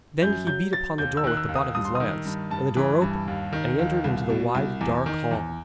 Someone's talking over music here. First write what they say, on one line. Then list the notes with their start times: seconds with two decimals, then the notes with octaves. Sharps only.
Then he beat upon the door with the butt of his lance, and the door opened, and he entered into the wide dark hall.
0.22 F#2 G6
0.47 F#3 G6
0.72 F#3 A6
0.98 D#2 G6
1.17 E6
1.24 D#3 F#6
1.37 E6
1.49 D#2
1.55 D#6
1.75 G2 D#6
1.85 C6
1.95 D#3 D#6
2.25 G2
2.51 G2 A5
2.77 E3
3.02 G2
3.28 D#2
3.53 D#3
3.79 D#2
4.04 C2
4.30 B2
4.55 C2
4.81 E2
5.06 D#3
5.31 E2